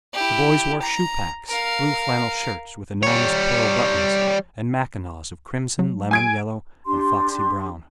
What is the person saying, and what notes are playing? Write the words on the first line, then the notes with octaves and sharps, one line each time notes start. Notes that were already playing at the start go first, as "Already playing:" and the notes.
The boys wore shoe-packs, blue flannel shirts with enormous pearl buttons, and mackinaws of crimson, lemon yellow, and foxy brown.
E4 G4
A#5
A#4 F5
G3 C#5
F#3
G#5 G#6 D7
D4 G4 C6